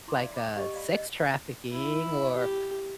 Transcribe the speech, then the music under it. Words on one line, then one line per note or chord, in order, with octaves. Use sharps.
like, uh, sex trafficking or
E4 C6 D6
D5 E5 F5
B5 D6
G4 D#5 F#5 C#6
D5 F5 B5
D#5
E4
G4